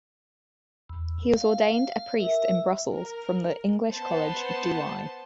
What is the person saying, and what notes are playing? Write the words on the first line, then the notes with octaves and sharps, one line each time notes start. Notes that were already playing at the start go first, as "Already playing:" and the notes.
He was ordained a priest in Brussels from the English College, Douai.
E2
F5
A#4 E5
A#4
B3 C5 A5